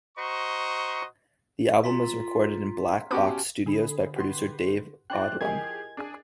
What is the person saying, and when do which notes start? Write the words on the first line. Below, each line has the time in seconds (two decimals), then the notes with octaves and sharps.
The album was recorded in Black Box Studios by producer Dave Odlum.
0.18 F#4 C5 D#5 A#5 C#6
1.84 F4 A#5 C6 B6
3.11 B3 C#4 F#4 G4 G#5 A5 B5 D6
3.66 D3 G#4 B5
4.16 F#4 G4 B4 F#5 C6
5.10 D4 E4 C5 D5 G5 F#6
5.41 F3 G4 G#4 A#4 D#5 G#5 G#6
5.97 D4 G#4 G#5